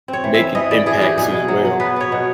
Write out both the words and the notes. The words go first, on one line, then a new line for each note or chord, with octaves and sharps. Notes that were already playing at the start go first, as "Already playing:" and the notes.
making impacts as well,
C4
C#5
E3
E5
E3
E3 D#5
E3 D5
E3 G#4
E3 G4
B2 G#4
B2
F#3
F#3
B3 B4
B3 C#5
B2